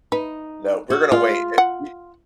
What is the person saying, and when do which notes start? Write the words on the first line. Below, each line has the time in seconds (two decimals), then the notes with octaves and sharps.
no, we're gonna wait, eh, we
0.12 D#4 B4
0.90 F#4
1.12 G#3 F4
1.58 F#5